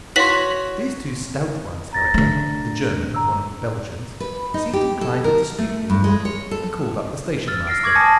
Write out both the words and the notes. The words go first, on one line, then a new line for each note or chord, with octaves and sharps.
These two stout ones, however--the German and one of the Belgians--seemed inclined to dispute the award, and called up the station-master.
E4 F#4 C#5 F5 C6 B6 F#7
A#5 A6 A#6
D3 A3
A#5 E6
B4
D#4
G4
A4
A#4
A3
G2
G#3
C#5
A4
E6 F6 A6
F6 A#6 C7 D7
C#6 D6 G#6 A#6 F#7
G#5 A5 D#6 A#6 C#7